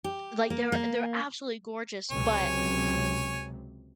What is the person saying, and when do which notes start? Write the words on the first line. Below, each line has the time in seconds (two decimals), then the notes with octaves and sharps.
Like, they're they're absolutely gorgeous, but
0.04 G4
0.50 A#3
0.72 A#3
2.11 C#2 C3 F#3 C#5 G#5